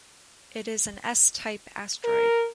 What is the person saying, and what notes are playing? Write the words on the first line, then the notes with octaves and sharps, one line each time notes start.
It is an S-type asteroid.
A#4